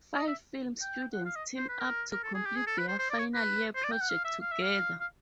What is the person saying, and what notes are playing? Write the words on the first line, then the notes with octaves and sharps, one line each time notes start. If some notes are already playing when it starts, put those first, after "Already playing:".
Five film students team up to complete their final year project together.
D#5
E5
G5
F#5
F5
D#5
C5
B4
A#4
A#4
A4
G#4
G4
G#4
A4
B4
C5
C5
D5
C#5
B4
C5
D5
G5
F#5
F5
E5
F5
E5
F5
F5